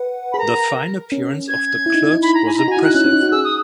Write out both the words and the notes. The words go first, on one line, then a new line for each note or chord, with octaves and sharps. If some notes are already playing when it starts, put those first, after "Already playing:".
The fine appearance of the clerks was impressive.
Already playing: B4 F#5
G#4 B5
A#4 A#5
C#4
G#6
E4
D#4
D#4
E4
B5
A#5
G#5
B5
D#4 A#5
F#4 G#5
E4
D#4 F#6
C#4 F#6
C#4
D#4
F#4
G#4 E6
D#6